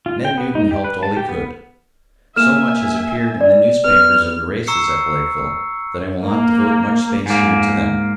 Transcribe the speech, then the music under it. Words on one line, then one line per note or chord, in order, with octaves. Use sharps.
Ned Newton helped all he could. So much has appeared in the newspapers of the races at Blakeville that I will not devote much space here to them.
F4
G5
B3
D#4
G4
B4
A5
G4
B3
A#3 E5 G#5 F6 E7
D5
B3 F6
A#5 C#6 E6 C7 C#7
A#3
G#2 A#3